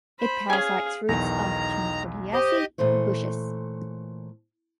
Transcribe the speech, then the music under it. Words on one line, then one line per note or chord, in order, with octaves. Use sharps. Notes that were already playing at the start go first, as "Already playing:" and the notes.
It parasites roots of Chenopodiaceae bushes.
C5 B5
C#4 G#4 F5 G#5
B1 E2 D#3 A#5 A#6
G4 C5 D#5
A#2 E3 A3 C5 C#5